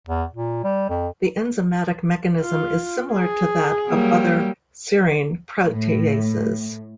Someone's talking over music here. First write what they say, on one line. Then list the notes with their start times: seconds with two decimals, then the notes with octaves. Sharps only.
The enzymatic mechanism is similar to that of other serine proteases.
0.07 E2
0.33 A#2
0.64 G3
0.90 F2
2.42 F4
3.14 G#4
3.88 F#3 G3 A#3
5.67 A2